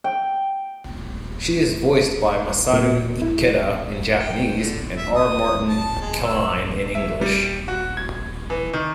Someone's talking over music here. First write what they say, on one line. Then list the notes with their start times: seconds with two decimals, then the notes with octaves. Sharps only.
She is voiced by Masaru Ikeda in Japanese and R. Martin Klein in English.
0.04 G5
2.73 A#2
3.22 E4
4.19 G5
4.52 D3
4.97 E5
5.16 D#6
5.68 A5
6.01 G#3
6.25 E6
6.95 E5
7.21 G3
7.68 F#4
7.97 G#6
8.50 E3
8.73 D#3